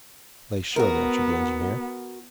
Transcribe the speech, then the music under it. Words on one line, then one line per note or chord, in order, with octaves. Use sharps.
"They should," answered the engineer.
B3 F#4 A#4